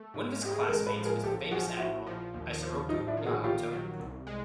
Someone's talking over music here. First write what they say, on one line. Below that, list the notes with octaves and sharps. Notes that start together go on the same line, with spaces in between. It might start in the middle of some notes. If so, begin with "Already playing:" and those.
One of his classmates was the famous admiral Isoroku Yamamoto.
Already playing: A3
G#2
G#3 G4
G#4
A4
A1 G#4 A#4
A4 B4
F3
G#4 A#4
A#1 G4 A4
F3 F#4 G#4
A#1 E4 F#4
F3
D#2
F3
A1 D#4 F4
D4 E4
D#3
F#4 G#4
A#1 F4 G4
F#3
C2
G#3